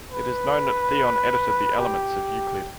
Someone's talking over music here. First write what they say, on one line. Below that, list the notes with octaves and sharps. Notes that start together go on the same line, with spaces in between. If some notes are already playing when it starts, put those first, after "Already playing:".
It is known that Theon edited the "Elements" of Euclid.
B4
G4